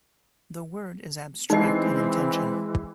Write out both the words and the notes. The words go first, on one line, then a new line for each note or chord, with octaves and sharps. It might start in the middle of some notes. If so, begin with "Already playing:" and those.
The word is abstract in intention.
E3 G#3 C4 D#4 D#5 C7